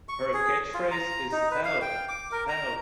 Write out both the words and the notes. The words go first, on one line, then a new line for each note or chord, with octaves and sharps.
Her catchphrase is Help, help!
C#6
G#4
F4
A#5
D#4
B4
F5
G5
D6
A#4
A#5